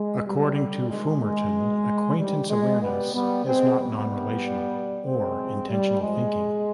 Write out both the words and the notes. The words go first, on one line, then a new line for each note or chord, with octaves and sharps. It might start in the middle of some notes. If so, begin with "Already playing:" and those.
According to Fumerton, acquaintance awareness is not non-relational or intentional thinking.
Already playing: G#3
B2 G3
C3 D#3 G#3
G#3
B2
C3 D#3 G3
G#3
B2 G3 B3
G3 B3
B2 G#3 C4
G3 B3
C3 D#3
B2
G#3 C4
C3 F3
G3
C3 F3 G#3